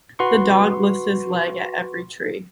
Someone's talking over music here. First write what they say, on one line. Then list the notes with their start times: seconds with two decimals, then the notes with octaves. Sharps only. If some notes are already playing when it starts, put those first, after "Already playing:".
The dog lifts his leg at every tree.
0.19 F#4 B4 C6 C#6